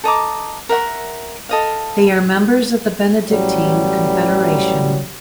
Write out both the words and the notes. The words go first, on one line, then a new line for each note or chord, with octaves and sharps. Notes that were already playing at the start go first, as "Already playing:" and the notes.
They are members of the Benedictine Confederation.
A4 D#5 A#5 D6
A#4 E5 F#5 C#6
A4 D#5 F5
A1 F#3 G3